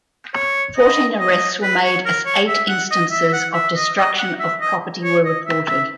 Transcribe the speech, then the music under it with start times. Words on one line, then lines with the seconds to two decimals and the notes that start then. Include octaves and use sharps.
Fourteen arrests were made as eight instances of destruction of property were reported.
0.35 C#5
0.77 D#5
1.20 D#5
1.62 B4
1.84 C#5
2.06 A#4
2.26 C#5
2.48 E5
2.69 F#5
2.91 D#5
3.11 E5
3.29 E5
3.33 F#5
3.54 E5
3.76 D#5
3.97 D#5
4.19 F#5
4.40 E5
4.61 D#5
5.04 C#5
5.25 D#5
5.46 E5
5.68 E5